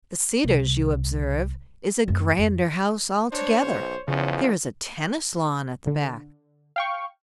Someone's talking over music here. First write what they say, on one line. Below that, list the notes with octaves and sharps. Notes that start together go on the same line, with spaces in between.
The Cedars you observe is a grander house altogether; there is a tennis lawn at the back.
C2
F#2 A3
F2
D4 C5 C#5
B1
E2 C#3 F3 C#4
D3
F5 G5 C#6